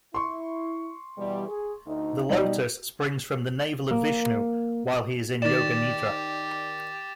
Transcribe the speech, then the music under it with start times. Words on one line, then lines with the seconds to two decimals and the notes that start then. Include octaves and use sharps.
The lotus springs from the navel of Vishnu while he is in Yoga Nidra.
0.14 E4 C6 C#6
1.18 B2 E3 G3
1.48 G#4
1.87 D2 D#4
2.29 B2 G3 D#4
3.91 A#3
5.42 D#3 G4 D5 A6 E7